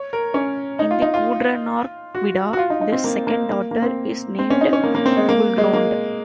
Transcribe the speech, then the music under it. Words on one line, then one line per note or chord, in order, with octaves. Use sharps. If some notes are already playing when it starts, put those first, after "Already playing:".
In the Gudrunarkvida, this second daughter is named Gullrond.
Already playing: C#5
A#4
C#4
D#4
F4
D#4
F4
F#4
F#4
F4
D#4
D#4
C4
A#3
A#3
A#3
A#3
C4
C4
C#4
D#4
C#4
A#3
A#3
C4
G#3
A#3
G#3
A#3